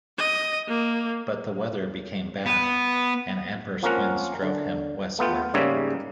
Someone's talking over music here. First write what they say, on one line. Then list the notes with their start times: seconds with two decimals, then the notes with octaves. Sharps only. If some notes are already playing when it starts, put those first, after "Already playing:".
But the weather became bad, and adverse winds drove him westward.
0.18 D#5
0.68 A#3
2.46 B3
3.83 F3 A#3 C4 C#4 A#4 F#5
4.42 D3
5.19 A3 B3 F4 G5
5.54 G#2 C#3 G3 A#3 C#5 E5